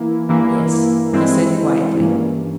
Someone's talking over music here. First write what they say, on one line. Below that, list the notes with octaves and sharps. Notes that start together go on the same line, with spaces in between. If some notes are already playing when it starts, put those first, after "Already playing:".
"Yes," he said quietly.
Already playing: E3 A#3 E4
G2 E3 A#3 E4
G2 E3 G#3 C4 E4
G2 E3 A#3 C#4